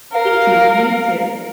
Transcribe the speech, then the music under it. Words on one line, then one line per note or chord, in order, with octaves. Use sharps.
Thank you, and you too.
A#4 F5